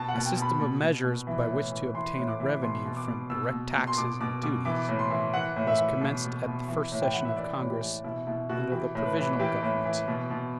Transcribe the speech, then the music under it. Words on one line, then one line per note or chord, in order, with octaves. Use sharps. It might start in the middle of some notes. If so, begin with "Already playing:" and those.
A system of measures by which to obtain a revenue from direct taxes and duties was commenced at the first session of Congress under the provisional Government.
Already playing: B2 A5
F#5
B2
G5
B2
B5
B2
B2
B2
E3
A2
E3
E3 C6
A2
D6
E3
B2 C6
B2
D6
B2
B2 E6
B2
B2
C6
B2 D6
B2 D6
B2 D6
E3 D6
A2
C6
E3
E3 F#5
A2
E5
E3
B2
B2
B2
E3
A2
G5
E3 F#5
E5
E3 D5
A2
G4
E3
B2 E4
B2 E4
B2 F#4
E3 G4
A2
B4
E3
E3 G4
A2
E3
B2
B2